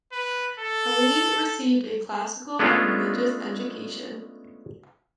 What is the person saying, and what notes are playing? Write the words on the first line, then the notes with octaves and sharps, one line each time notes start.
Heline received a classical and religious education.
B4
A4
G#3 A3 B3 C#4 D4 F4